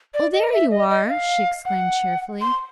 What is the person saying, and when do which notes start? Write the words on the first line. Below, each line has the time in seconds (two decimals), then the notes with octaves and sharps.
"Oh, there you are!" she exclaimed cheerfully.
0.14 D5
0.33 D#5
0.52 E5
0.71 D#5
0.90 D#5
1.09 F5
1.65 F#5
2.41 C6